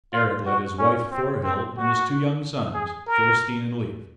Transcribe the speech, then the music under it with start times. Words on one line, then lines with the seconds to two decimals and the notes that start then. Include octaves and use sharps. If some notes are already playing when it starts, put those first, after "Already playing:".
Eric led his wife Thorhild and his two young sons, Thorstein and Leif.
0.13 F4
0.46 F#4
0.78 C#4
1.11 C4
1.43 C4
1.77 F#4
2.74 G#4
3.07 A#4